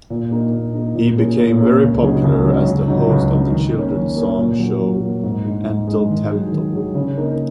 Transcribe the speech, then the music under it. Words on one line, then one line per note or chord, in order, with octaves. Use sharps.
He became very popular as the host of a children's songs show "Entel-tentel".
A#2
A#3 D#4
A#2
A#3 D#4
A#2
A#3 C#4 G#4
A#2
A#3 C#4 G#4
C#2
C#3 F#3 D#4 G#4
C#2
C#3 F#3 D#4 G#4
C#2
C#3 F#3 D#4
C#2
C#3 F#3 D#4
D#3
A#3 C#4
D#3
A#3 C#4
A#2
F#3 A#3
A#2
F#3 A#3
G#2
G#3 D#4
G#2
G#3 D#4
D#3
F#3 D#4 G#4
D#3
F#3 D#4 G#4
C#3
A#3 D#4 A#4